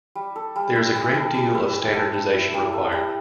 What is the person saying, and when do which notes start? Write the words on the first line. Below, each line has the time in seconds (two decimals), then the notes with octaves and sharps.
There is a great deal of standardization required.
0.15 G3
0.36 A4
0.56 G3
0.75 E4
0.95 G3
1.15 A4
1.34 G3
1.55 E4
1.74 G3
1.94 A4
2.14 G3
2.33 E4
2.54 G3
2.73 A4
2.92 G3